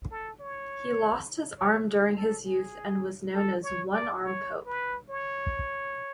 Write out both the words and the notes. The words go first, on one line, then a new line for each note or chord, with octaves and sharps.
He lost his arm during his youth and was known as "One-Arm Pope".
A4
C#5
C#5
A4
G#4
A4
C#5
D5
C#5
B4
C#5